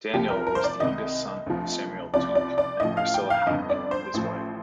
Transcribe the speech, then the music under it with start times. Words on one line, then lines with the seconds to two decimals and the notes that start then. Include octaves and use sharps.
Daniel was the youngest son of Samuel Tuke and Priscilla Hack, his wife.
0.13 C2 C3 F3 G4
0.30 A#4
0.47 A#4
0.55 C5
0.64 D5
0.80 C2 C3 D#3 D#5
1.46 D2 C3 F3
2.13 C2 C3 F3 D5
2.35 D5
2.58 D5
2.80 A1 A2 F3 D#5
2.97 F5
3.14 G5
3.30 F5
3.47 G1 F2 D3 D#5
3.70 D5
3.91 C5
4.14 A1 A2 F3